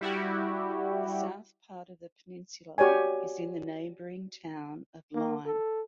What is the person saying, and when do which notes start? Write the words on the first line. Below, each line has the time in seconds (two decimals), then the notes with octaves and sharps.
The south part of the peninsula is in the neighboring Town of Lyme.
0.01 G3 E4 F#4 G4
2.78 F#4 G4 C#5 D5 G#5
5.15 A#3
5.46 A4